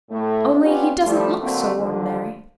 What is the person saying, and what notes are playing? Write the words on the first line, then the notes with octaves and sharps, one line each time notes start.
Only he doesn't look so ordinary.
A2 A3
B3 C#4 D4 F4 G4
F3 G3 A3
D3 F#3 A3 A#3 C4
D#2 D3 F3